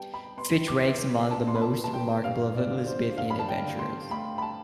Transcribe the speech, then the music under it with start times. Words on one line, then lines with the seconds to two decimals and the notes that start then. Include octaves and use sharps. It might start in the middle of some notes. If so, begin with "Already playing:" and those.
Fitch ranks among the most remarkable of Elizabethan adventurers.
Already playing: G3 B3 G5 A5
0.14 B5
0.37 B3 C6
0.68 D6
0.84 B3
1.30 D4 A5
1.48 C6
1.55 B5
1.62 A5
1.78 B3
1.84 A5
1.93 G5
2.24 G2 F5
2.55 D5
2.70 D3
2.86 C5
3.17 G2 F5
3.30 B5
3.39 A5
3.49 G5
3.64 D3
3.79 C6
4.10 A3 B5
4.38 B5
4.42 A5